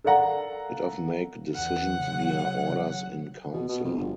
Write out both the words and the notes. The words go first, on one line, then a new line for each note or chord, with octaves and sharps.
It often make decisions via Orders in Council.
A4 A#4 D5 F5 F#5 A#5
E2 F#5
C#3 F#3
B2
B2
F2
G1